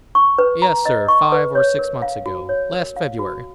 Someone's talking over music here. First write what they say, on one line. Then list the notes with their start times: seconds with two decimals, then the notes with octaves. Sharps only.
"Yes, sir, five or six months ago--last February."
0.15 C#6
0.38 B4
0.62 A#5
0.86 D#5
1.08 C#6
1.32 B4
1.55 C#5
1.79 A#4
2.02 F5
2.26 F#4
2.49 C#5
2.73 A#4
2.96 F5
3.19 F#4